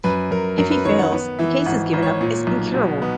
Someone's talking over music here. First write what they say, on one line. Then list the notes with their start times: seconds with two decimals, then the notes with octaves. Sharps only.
If he fails, the case is given up as incurable.
0.04 F#2 B4
0.31 F#2 A#4
0.58 F#2 A#4
0.71 B4
0.85 D#3 C#5
0.99 F#5
1.12 B3
1.39 E3 E5
1.66 G#1 F#5
1.93 G#1
2.02 C#5
2.21 A#2
2.47 B1
2.74 B2
3.02 B3